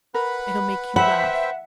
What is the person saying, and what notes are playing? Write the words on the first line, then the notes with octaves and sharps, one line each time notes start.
It'll make you laugh.
A#4 B4 F#5 B5
B4 C5 E5 F#5 G5 B5